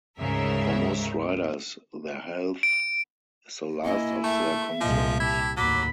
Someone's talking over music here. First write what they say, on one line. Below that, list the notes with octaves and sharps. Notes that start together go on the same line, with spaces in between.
For most riders, their health is the last of their concerns.
D2 G#2 C#3 A#4 E5
D7
A#3 E4 D#5 G#5
A3 E5
C2 A#2 F3 G#3 D#5
E4 G4 A5
D#2 A2 F#3 B5 D6